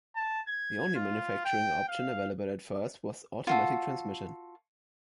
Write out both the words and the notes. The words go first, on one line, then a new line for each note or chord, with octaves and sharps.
The only manufacturing option available at first was automatic transmission.
A5
G#6
F4
G5
F5
F4 F#4 A4